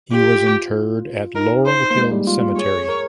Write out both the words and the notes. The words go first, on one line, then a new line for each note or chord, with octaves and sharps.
He was interred at Laurel Hill Cemetery.
F4 G4
D#4 A#4
C5
A#3
G#3
G3
F4
F4
G#4 C#5
A#4